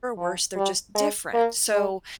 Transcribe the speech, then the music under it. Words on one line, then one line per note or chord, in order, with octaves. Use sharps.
or worse, they're just different. So
F3
G3
G#3
A#3
G#3